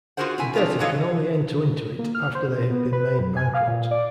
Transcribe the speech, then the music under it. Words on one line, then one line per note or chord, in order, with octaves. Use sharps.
A debtor can only enter into it after they have been made bankrupt.
F4 F#4 G#4 A#4 C5 F#5
C4 E4 G#5
C4 D4 D#4 F4 A4
G#2 E3 A4 C#5 D#5 F5
A#3
F6
C5
C3
B3
B4
F#2
G#5
F5
A#2
D5